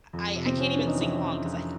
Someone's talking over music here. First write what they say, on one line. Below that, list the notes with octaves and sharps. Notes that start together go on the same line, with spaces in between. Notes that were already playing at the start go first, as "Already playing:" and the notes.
I I I can't even sing along 'cause I I
F2
C3
C4
F2 C#4
D4
E3
D#4
F2 E4
F2
F2